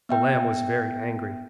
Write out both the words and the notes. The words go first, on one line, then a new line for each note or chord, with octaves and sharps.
The lamb was very angry.
B3 E5 G5